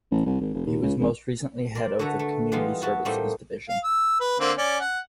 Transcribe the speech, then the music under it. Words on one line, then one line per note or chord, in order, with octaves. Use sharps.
He was most recently head of the Community Services Division.
A1
C2
G#1
F1
D#2
C#2
G#1
A#4 D5 C6
D3 F#4 A4 B4 E5 A#5
A3
E3 G3 G#3 B3 D#4 F4
B3 E4 F#4 E5 A5
A2 G3 A3 A#3 C4 D#4
F5
E6
B4
D3 A#3 C4
C#4 D5
F#5